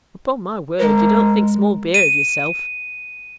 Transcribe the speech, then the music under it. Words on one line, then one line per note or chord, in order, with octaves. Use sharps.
'Upon my word, you don't think small beer of yourself!
G#3 A#4
D#7